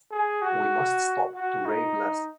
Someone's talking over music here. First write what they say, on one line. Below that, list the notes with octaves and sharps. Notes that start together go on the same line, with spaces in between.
We must stop to rave less.
G#4
F#4
F#4
D#4